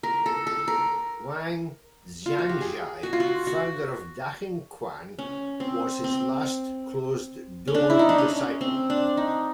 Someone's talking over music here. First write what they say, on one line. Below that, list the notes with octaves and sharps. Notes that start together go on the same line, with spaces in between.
Wang Xiangzhai, founder of dachengquan was his last closed door disciple.
A#4
A4
A4
A#4
F4
F#4
G4
G#4
F#4
F4
F#4
F#4
C#4
C4
C4
C#4
D4
E4
D#4
D4
C#4
C4
D4
D#4